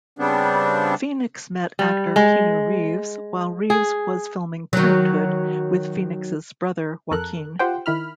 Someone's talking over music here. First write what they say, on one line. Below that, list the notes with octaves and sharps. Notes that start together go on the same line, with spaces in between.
Phoenix met actor Keanu Reeves while Reeves was filming "Parenthood" with Phoenix's brother, Joaquin.
C#3 G3 B3 C4 D4
G3
G#3
G#4
D#3 F#3
F2 A4 A#4 F#6
F4 G4 C5 F#5 G5
D#3 E4 B5 F6